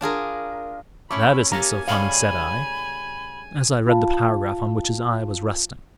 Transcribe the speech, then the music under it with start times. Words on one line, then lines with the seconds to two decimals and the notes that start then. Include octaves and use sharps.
'That isn't so funny,' said I, as I read the paragraph on which his eye was resting.
0.01 D4 F4 G#4 A#4
1.11 A3 C#4 E4 B5 D6
1.52 A#3 G4 A4 G#5 A#5
1.88 C#3 G3 A3 F5 B5
3.87 F4 F5 A5